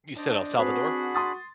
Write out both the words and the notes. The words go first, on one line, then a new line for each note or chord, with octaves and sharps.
You said El Salvador?
D4 C5 D5 D#5
C4 D4 F#4 G#4 B4 B5
C6 D#6 A6